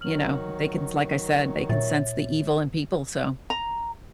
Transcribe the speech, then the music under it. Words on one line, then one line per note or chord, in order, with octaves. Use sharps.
you know, they can s like I said, they can sense the evil in people, so
D#3 F#3 F6 F#7
A#2 C#5 E5 A6
A#5